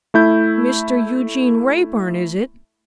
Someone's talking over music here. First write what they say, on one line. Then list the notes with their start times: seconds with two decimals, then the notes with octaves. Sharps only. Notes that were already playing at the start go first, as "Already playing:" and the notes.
'Mr Eugene Wrayburn, is it?
0.14 A3 E4 G6